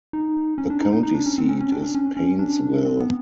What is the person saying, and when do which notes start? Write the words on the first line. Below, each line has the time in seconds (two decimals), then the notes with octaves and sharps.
The county seat is Painesville.
0.13 D#4
0.58 C#4
0.70 D4
0.81 D#4
0.93 D#4
1.03 D#4
1.15 D4
1.26 C#4
1.38 C4
1.49 C#4
1.61 C#4
1.72 D4
1.82 D4
1.95 C#4
2.17 C#4
2.39 D4
2.85 C4
3.00 B3